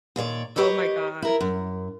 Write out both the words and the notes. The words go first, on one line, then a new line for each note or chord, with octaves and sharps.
Oh my gosh.
D#2 A#2 C#5 D5
G4 B4 C#5 D#5
E4 A#4
F#2